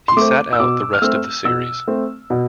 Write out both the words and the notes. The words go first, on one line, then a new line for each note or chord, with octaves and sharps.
He sat out the rest of the series.
C6
A3 C4 D6
E6
B2 D6
F6
A3 C4 E6
B2 E6
A3 C4
B2